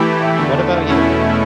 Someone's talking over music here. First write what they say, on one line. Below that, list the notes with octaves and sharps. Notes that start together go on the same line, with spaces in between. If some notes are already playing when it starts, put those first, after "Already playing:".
Um, but what about you?
Already playing: E3 A3 E4 G4
E2 D3 A3
E2 B2 A3 C#4 E4